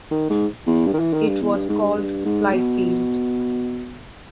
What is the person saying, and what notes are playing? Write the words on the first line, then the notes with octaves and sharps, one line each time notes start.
It was called "Fly Field".
D#3
G#2
E2
G2
D#3
E3
D#3
G2
E2
G2
G#2
G2
G2
G#2
B2